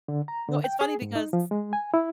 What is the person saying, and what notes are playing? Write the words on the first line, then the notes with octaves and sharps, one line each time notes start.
No, it's funny because
D3
A#5
D3
G5
G#4
G#2
D#4
F3
G#3
G#5
E4